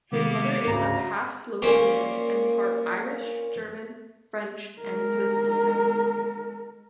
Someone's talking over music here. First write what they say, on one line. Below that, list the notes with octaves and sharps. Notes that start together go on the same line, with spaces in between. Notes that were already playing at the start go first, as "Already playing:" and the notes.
His mother is of half Slovenian and part Irish, German, French, and Swiss descent.
C3 D#3 G#3 A#3 B3 G4
D2 G#2 C#3 A#5
A#2 C#4 C5 D6
G#3 A#4